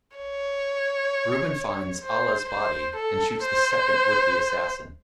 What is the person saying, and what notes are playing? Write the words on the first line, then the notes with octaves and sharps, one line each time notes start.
Reuben finds Alla's body and shoots the second would-be assassin.
C#5
C5
C5
A4
C5